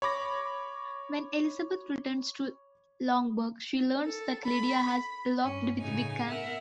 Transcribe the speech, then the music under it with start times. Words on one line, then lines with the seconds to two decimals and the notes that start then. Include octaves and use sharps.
When Elizabeth returns to Longbourn, she learns that Lydia has eloped with Wickham.
0.02 C#5 B5 D6 A#6
4.06 A4
4.46 B5
5.43 G2 C#4
5.78 A2 C#3 D#4 G#5
6.26 B3 A#4 E5 F#5